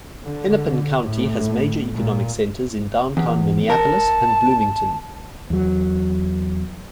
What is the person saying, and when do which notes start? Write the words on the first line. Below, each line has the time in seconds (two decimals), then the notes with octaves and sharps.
Hennepin County has major economic centers in downtown Minneapolis and Bloomington.
0.23 D3
1.01 A2
1.93 A#2
3.17 E2
3.70 A#4 A5
5.50 E2 F#3